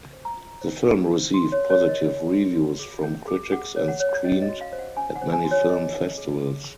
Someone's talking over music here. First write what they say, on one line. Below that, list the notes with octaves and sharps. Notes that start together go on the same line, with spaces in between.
The film received positive reviews from critics and screened at many film festivals.
C5
A#5
F4
C5
F4
C5
F#4 C6
C#5
C#4
C#5
A#4
D#5
C#4
F#4
F#4
G#4
C#4
G#4
G#4 F#5
C#5
F#5
C#5
C#4 D#5
D#5
F#4
F5
C5
F#5
C#4 G#5
F#5
C5
G#5
F#4
C#5
G#4 D#5
D#4
G#4
G#4